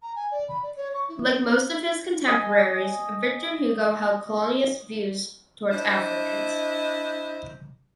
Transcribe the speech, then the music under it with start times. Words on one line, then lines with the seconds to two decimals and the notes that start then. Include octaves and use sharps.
Like most of his contemporaries, Victor Hugo held colonialist views towards Africans.
0.03 A#5
0.16 G#5
0.32 D5
0.48 B5
0.63 D5
0.76 C#5
0.94 C#6
1.09 E4
2.28 D#5 G#5
5.72 D4 E4 C5 D#5